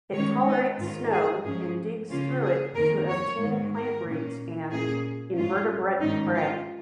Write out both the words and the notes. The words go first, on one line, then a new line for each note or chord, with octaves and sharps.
It tolerates snow and digs through it to obtain plant roots and invertebrate prey.
D#3 G#3 C#4 C#5
D#4
G#2 D#3 C#4 F4
G#4
G#2 F3 C#4 G#4
C#3 A#3 C#4 F4
G#4
F2 D#3 A#3 A#4
C#5
G#2 D#3 G#3
A#4
A#2 A#3 C#4
A#2 A#3 C#4 G#4
G#2 G#3 C#4 F4
G#2 D#3 G#3 C#4 D#4
F4